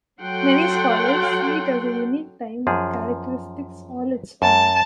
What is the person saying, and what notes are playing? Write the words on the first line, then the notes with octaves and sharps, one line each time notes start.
Many scholars see it as a unique time with characteristics all its own.
F#3 A4 F#5 G5 C6
F#2 F3 G#4
F#2 A5